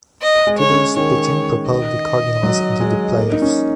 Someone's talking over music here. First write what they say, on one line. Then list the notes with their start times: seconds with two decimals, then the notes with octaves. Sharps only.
Tudor's pitching propelled the Cardinals into the playoffs.
0.22 D#5
0.47 G#3
0.59 C#5
0.71 C#4
0.96 D#3 C#5
1.70 D#5
2.43 F#3
2.80 G#3
3.17 A#3
3.32 D#4
3.42 C#4